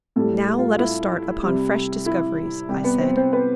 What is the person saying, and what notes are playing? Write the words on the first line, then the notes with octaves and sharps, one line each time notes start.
"Now let us start upon fresh discoveries," I said.
A2 G3 A3 A4
F4
E4
C3 G3
E4
C3 G3 G4
B3 B4
C4 C5
C4 C5
B3 B4